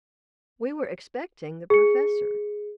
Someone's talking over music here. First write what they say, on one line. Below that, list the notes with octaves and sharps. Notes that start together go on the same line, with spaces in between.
We were expecting the professor.
G#4 C#7